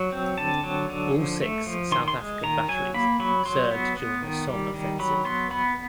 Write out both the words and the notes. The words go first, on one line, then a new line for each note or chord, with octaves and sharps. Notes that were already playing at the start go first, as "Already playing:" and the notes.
All six South African batteries served during the Somme offensive.
Already playing: F#3
C4
D3 A5
F#3
D3
F3
A3
F3
D#3 C6
C6
G#3
D#3 A#5
F#3 G#5
A#3 B5
F#3 B5
F#3 C6
B3
B3
D#3
G3
D#3
F#3 B5
B3 C6
B3 B5